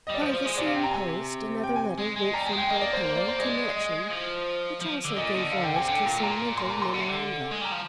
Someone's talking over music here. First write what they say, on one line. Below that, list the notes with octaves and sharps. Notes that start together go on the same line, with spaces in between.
By the same post another letter went from Polpenno to Matching which also gave rise to some mental memoranda.
D#5
G3 D5
F3 C5
F3
G#3
C3 D5
F5
G5
A#5
G#5
G5
G#5
G#3
G#3
G3 A#5
G#5
G#3
G5
A#3 D#5
D5
C5
C5
D5
C5
G#3 D5
D#5
F3
F3
D3
A#2 D#5
D3
F5
G5
C3 G#5
D3 G5
A#2
C3
A#2 A#5
C6
A#5
C6
D3
C3
D3
G#3
G3 A#5
F3